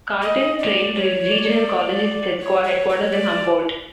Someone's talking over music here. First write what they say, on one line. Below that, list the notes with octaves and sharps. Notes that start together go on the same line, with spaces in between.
Carlton Trail Regional College has its headquarters in Humboldt.
D#5
D5
C#5
D5
C#5
D5
C#5
C#5
C#5
D5